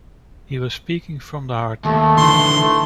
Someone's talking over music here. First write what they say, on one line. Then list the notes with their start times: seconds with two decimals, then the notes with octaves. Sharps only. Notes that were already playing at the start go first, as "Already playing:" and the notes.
He was speaking from the heart.
1.85 D#2 A3
2.17 D3 E3 C6
2.59 A3